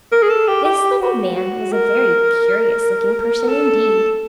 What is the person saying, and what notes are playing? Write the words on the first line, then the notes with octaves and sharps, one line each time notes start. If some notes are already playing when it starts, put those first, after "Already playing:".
This little man was a very curious-looking person indeed.
A#4
G#4
A4
G4
G4
F#4
F#4
A#4
A4